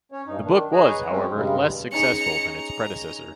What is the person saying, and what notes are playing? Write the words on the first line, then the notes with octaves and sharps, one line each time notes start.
The book was, however, less successful than its predecessor.
C#4 C#5
G2 D#4
D#3 D4
G#4 B4 C#5 D#5 G#5 A#5
F#3 G#3 C4 C#4
G2 C#3 G3 G#3
C#4 D#4 G#4 A#5 C#7
A#5